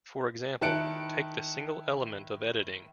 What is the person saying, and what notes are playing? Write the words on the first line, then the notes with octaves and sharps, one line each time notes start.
For example, take the single element of editing.
D#3 E4 A5 F#6 C#7 D7